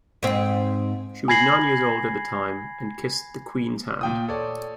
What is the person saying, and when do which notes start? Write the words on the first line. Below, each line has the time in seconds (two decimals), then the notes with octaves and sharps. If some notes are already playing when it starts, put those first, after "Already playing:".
She was nine years old at the time and kissed the Queen's hand.
0.23 G#2 C4
1.28 G#5 B5 G#6 A#6 C7 F#7
4.01 A#2 G5 D#6
4.28 A4 C#5 D5